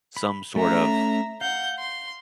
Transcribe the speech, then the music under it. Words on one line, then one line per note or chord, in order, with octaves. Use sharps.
some sort of
B5
A3 C#4 E5 A#5
F5 F#5 G6
C6